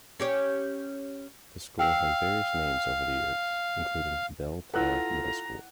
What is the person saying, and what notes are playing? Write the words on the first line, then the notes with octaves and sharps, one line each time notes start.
The school had various names over the years, including Bell Tower Middle School.
C#4 G4 C#5
F5 G5 E6 C7
E4 F4 A4 B4 F#5 A#5 F#6